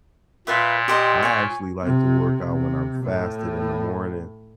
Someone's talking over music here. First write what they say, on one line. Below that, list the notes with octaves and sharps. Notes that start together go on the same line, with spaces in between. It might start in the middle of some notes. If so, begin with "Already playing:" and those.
I actually like to work out when I'm fasting in the morning,
A#2 F4 B4 E5
G4 C5 D#5
C#5 G#5
C3
C3
A2